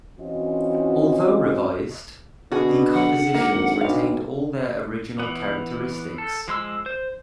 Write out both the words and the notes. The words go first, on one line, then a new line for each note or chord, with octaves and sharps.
Although revised, the compositions retained all their original characteristics.
E3 C4 C#4 F4 F#4 D#5
B2 D3 F#4 G#4
F#5
G#1 A#3
B1 F5
E3 B3
A4
F3 G#3 C6 E6
C5